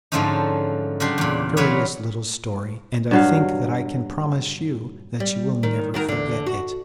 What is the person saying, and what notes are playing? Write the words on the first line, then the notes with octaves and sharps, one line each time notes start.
It is a curious little story, and I think that I can promise you that you will never forget it.
G#2 D3 F3 A3 C#4 D#4
C#3 F#3 D4 G4 C6
E2 A#2
A#2 E3 F#3 A#4 B4 C#5
G2 F#3 F5
G3
D#3
D#3 F#4 A#4
E2 D3
F#4